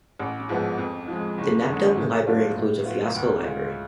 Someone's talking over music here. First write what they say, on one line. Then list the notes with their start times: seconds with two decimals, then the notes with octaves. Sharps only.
The Netpbm library includes a Fiasco library.
0.19 A1
0.49 G#2 F3 B3
0.78 F2
1.08 F3 G#3
1.38 F#1
1.67 F2 D3 G#3
1.97 A2
2.26 F#3 B3 D4 F4
2.55 A2
2.85 F#3 B3 F4
3.15 D2
3.45 C#3 G#3 C#4 F4